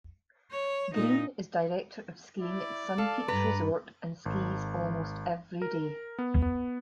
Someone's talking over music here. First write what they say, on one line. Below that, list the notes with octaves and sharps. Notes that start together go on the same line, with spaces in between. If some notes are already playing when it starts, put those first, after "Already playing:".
Greene is director of skiing at Sun Peaks Resort and skis almost every day.
C#5
A#2 D#4
E4 D5
A4 F5
G2 B4 A#5
G#1
A#4
B3
B3